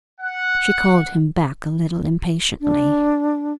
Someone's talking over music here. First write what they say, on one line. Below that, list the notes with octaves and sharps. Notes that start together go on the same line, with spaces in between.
She called him back a little impatiently.
F#5
D4